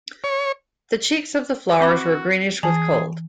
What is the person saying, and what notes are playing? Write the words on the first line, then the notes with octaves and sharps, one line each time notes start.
The cheeks of the flowers were greenish with cold.
C#5
C4 F#4 B5 D6
E3 G#4 G#5 A5